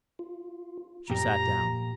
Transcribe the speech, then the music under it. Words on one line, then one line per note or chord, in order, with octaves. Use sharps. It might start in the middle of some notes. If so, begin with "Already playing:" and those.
She sat down.
F4
F#2 A#2 F3 G4 A#5